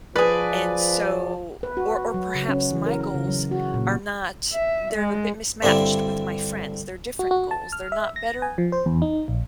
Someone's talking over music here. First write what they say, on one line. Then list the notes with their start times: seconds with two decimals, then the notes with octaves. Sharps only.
And so Or or perhaps my goals are not they're a bit mismatched with my friends. They're different goals, they're not better
0.16 F3 G#4 B4 D5
1.63 B4
1.77 F#4
2.14 F#3
2.35 C#3
2.49 C#4
2.72 E3
2.86 A#4
3.01 A#4
3.14 C#3
3.28 F#3
3.51 F#4
3.74 A#2
4.53 E5
4.94 G#3
5.63 G2 D3 C4 D4 E4
7.19 F#4
7.31 F#4
7.51 A5
7.73 F6
7.92 E5
8.16 A#6
8.42 G#5
8.58 F3
8.72 C5
8.86 E2
9.02 D#4
9.28 A#1